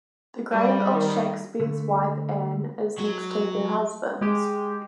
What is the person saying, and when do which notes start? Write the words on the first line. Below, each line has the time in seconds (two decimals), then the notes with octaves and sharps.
The grave of Shakespeare's wife Anne is next to her husband's.
0.51 G3
0.93 D#3
1.60 D3 A3
2.98 F#3
4.21 G#3 G4